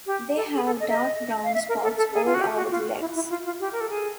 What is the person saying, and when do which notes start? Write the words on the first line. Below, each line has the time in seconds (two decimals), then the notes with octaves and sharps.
They have dark brown spots all over the legs.
0.06 G4
0.36 A4
0.55 G#4
0.66 A4
0.80 D#5
0.89 E5
0.94 D#5
1.44 F5
1.54 E5
1.69 A#4
1.83 A4
1.97 A4
2.13 G#4
2.26 F4
2.34 F#4
2.42 G4
2.56 F#4
2.71 F4
3.01 E4
3.15 E4
3.30 F4
3.45 F4
3.60 G4
3.73 A#4
3.81 A4
3.90 G#4